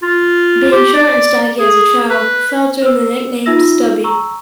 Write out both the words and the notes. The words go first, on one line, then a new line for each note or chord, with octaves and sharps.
Being short and stocky as a child, Fouts earned the nickname "stubby".
F4
G4
D5
G#4
B4
C5 E6
D#4 F4 E5 E6 A#6
A#5 C#6 E6